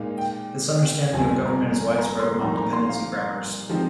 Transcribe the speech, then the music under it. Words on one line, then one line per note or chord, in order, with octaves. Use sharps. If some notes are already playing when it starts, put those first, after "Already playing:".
This understanding of government is widespread among dependency grammars.
Already playing: A#2 G#3 D#4 F5
G5
G1 F2 C3 F3 G#5
A#5
A#5
C6
C2 A#2 F3 C4 D#4 A#5
A#5
C6
F5
F3 G#3 C4 D#4